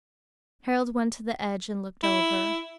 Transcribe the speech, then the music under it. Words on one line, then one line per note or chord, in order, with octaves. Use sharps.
Harald went to the edge and looked over.
E4